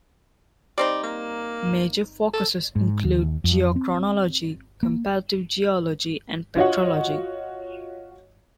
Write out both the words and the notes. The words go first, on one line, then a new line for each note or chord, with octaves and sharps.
Major focuses include geochronology, comparative geology, and petrology.
G3 C4 D#4 D5
A#3
A4
G#2
D#2
F2
C4
A#3
F4 F#4 C#5 D#5 F#5